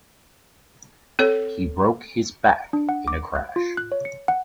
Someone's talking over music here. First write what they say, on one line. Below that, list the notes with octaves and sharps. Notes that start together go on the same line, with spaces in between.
He broke his back in a crash.
C4 A4 C#5
D4
F#5
D6
F#6
F4
F#6
C#5
C#7
F#5